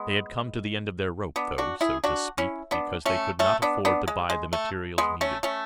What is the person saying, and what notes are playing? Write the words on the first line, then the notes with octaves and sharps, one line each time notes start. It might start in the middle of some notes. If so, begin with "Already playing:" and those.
They had come to the end of their rope, though, so to speak, because they could not afford to buy the materials needed.
Already playing: G#3 B3
B3 D4
D4 F#4
E4 G#4
D4 F#4
C#4 E4
B3 D4
A3 C#4
A3 C#4
B3 D4
B3 D4
G#3
G#3
A3
G#3 B3
A3 C#4
A3 C#4